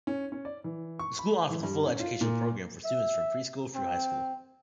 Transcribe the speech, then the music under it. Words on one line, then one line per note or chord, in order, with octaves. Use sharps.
The school offers a full educational program for students from preschool through high school.
C#4
C#4
D5
E3
C#6
B5
E3
G2
C#4
F4
A#2
E5
C4